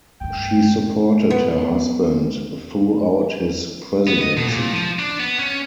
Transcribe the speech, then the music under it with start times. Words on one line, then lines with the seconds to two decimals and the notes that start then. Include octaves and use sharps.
She supported her husband throughout his presidency.
0.21 G2 A3 G5
1.30 B3
4.07 B3
4.21 D#5
4.37 B2
4.49 A#2
4.72 F3
4.99 D4
5.20 B3
5.39 C#4